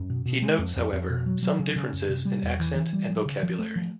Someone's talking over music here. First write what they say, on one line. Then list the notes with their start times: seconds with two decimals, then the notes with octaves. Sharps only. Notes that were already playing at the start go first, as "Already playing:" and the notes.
He notes, however, some differences in accent and vocabulary.
Already playing: F#2
0.10 B2
0.26 B2
0.42 G#3
0.59 F2
0.76 F2
0.93 F2
1.10 B2
1.26 F#3
1.42 F#3
1.59 C#3
1.76 C#3
1.93 F#2
2.09 C3
2.25 G3
2.43 E2
2.60 E3
2.75 E3
2.93 G3
3.09 F3
3.26 C#3
3.43 F3
3.59 A3
3.76 F3